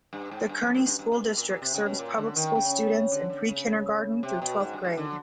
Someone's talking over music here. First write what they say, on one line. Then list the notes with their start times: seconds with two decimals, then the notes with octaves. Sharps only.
The Kearny School District serves public school students in pre-kindergarten through twelfth grade.
0.13 G2
0.31 G#2
0.49 G2
0.62 F2
0.75 F#2
0.86 G2
0.99 G2
1.12 G2
1.24 B2
1.37 A#2
1.49 A#2
1.62 C3
1.74 C#3
1.86 B2
1.99 A#2
2.18 D3
2.36 D#3
2.55 C#3
3.12 D3
3.29 D3
3.48 C#3
4.23 C3
4.42 B2
4.60 G#2
4.73 G2
4.85 G#2
4.97 D3